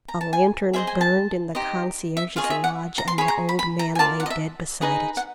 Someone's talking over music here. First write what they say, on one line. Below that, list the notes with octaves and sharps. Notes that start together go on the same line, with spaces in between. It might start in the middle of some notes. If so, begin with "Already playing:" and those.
A lantern burned in the concierge's lodge and the old man lay dead beside it.
A#5
A5
G#5
G#4 C5 D#5 E5
G#5
A5
D#4 G4 C5 D#5
E5
F4 G#4 C#5 F5
D#5
E5
F#5
A#5
C6
G#4 C#5 B5
A#5
B5
B5
A#5
G#5
F4 A#4 D5 A5
F#5
D#5
E5
D#4 G#4 B4 D#5
F#5